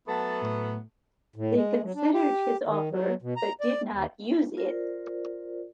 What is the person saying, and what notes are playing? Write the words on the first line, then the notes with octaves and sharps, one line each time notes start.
They considered his offer, but did not use it.
F#3 A3 B3 A5
A2
A2
G#3
F#3
D4
G4
D#3
F#3
B2
A#5
D5
D#2
F4 A#4 C5 D5